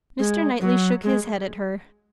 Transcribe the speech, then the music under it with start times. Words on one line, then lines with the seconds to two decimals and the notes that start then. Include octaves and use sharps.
Mr. Knightley shook his head at her.
0.19 G#3
0.61 F#3
1.03 G#3